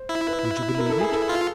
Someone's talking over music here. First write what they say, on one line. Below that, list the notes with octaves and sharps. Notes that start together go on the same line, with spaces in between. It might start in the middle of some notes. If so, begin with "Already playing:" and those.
Would you believe it?
Already playing: C5
E4
B4
A#4
A4
G#4
A4
F4